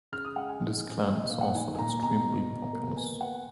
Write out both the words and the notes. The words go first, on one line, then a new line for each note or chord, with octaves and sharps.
This clan is also extremely populous.
C#3 F6
D#6
G#3 F#5
G#5
G#3
C#3
A#2
D#5
A#2 F5
F#5
D#4 G#5
G#5
A#2 A#5
B2 A#5
B2
B2
A#3
B3 G#5
B3 F#5